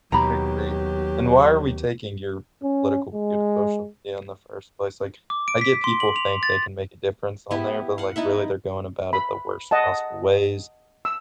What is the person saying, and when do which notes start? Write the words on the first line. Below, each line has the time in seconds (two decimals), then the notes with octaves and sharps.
I agree, and why are we taking your political view to social media in the first place? Like, I get people think they can make a difference on there, but, like, really, they're going about it the worst possible ways,
0.12 D#2 B2 F#3 G4 A#5 B5
2.63 C#4
3.14 G#3
5.30 D6
5.48 D7
5.61 B6
5.84 C6
6.00 F#7
6.16 F7
6.43 A6
7.51 B3 E4 G4
7.98 F5 F#5
8.16 B3 D#4 E4 E5
9.13 B5
9.71 D#5 F#5 A5
11.05 E6